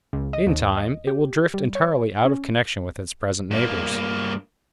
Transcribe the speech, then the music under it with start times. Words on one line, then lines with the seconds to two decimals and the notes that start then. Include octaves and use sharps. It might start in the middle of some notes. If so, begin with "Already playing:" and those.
In time it will drift entirely out of connection with its present neighbors.
0.13 C#2
0.33 D#5
0.47 D#2
0.77 D#5
1.07 G4
1.54 G3
1.75 C#5
2.25 C#4
3.51 G2 A#3